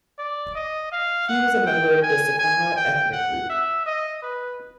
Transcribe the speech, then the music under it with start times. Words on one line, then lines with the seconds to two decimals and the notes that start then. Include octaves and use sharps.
He was a member of the Nzakara ethnic group.
0.18 D5
0.55 D#5
0.92 F5
1.28 F#5
1.66 G5
2.02 G#5
2.39 G#5
2.76 G5
3.12 F#5
3.50 E5
3.86 D#5
4.23 B4